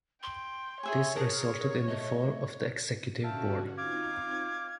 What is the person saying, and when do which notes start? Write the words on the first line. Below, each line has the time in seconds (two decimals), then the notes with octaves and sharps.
This resulted in the fall of the executive board.
0.23 G5 C6
0.83 G#4 C#5 E5 G#5
1.16 G#4 A#4 A5
1.88 A3 D#5
3.24 D3 C#4 F#4 E5 F5 G5 A5
3.78 C4 D#4 F4 F5 D6 G#6